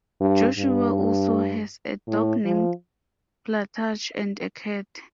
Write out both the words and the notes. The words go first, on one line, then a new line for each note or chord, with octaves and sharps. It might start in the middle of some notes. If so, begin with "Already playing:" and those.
Joshua also has a dog named Plutarch and a cat.
G2
G2
A2
F3